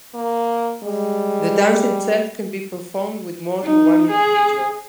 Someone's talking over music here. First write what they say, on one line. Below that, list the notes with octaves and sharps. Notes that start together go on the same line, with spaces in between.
The dance itself can be performed with more than one individual.
A#3
G3 G#3
D#4
G#4